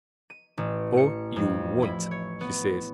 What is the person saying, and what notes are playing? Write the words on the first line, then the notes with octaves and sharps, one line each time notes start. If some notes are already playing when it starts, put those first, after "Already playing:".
"No you won't," she says.
D#7
A1
C#7
F2
E4
C#5
B3